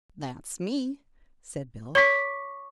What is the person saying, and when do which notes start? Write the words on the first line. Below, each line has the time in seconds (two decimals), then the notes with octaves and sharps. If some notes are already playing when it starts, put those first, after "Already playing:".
"That's me!" said Bill.
1.95 C#5 C#6 D6 B6